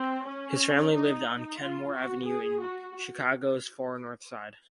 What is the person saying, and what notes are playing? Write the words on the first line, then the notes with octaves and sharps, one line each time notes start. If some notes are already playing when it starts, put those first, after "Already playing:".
His family lived on Kenmore Avenue in Chicago's far north side.
Already playing: C4
C#4
D#4
F4
F#4
G#4
F#4